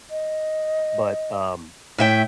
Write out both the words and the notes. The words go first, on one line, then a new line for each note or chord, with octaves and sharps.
But, um,
D#5
A2 A3 E5 G5